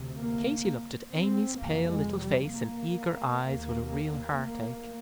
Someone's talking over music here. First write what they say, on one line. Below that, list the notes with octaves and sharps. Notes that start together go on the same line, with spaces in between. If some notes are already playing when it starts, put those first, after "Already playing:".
Katy looked at Amy's pale little face and eager eyes with a real heartache.
Already playing: D2 C3
A#3
C4
F2 C3 A#3
G#3
G3
A#3
D#2
A#3